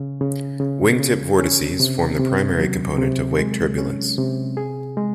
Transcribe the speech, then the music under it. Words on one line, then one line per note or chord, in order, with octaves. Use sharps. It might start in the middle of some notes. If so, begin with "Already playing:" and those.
Wingtip vortices form the primary component of wake turbulence.
Already playing: C#3
C#3
C#3
C#3
C#4
C3
C3
F#3
C3
G#3
C#4
C3
G#4
G#3